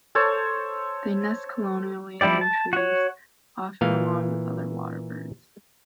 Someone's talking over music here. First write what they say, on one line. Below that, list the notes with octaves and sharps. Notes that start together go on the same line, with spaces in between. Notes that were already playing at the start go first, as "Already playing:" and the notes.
They nest colonially in trees, often along with other waterbirds.
A4 C5 C#5 A5
F3 G3 E4 G4 D5
A5
F#4 C#5
A#2 E3 F5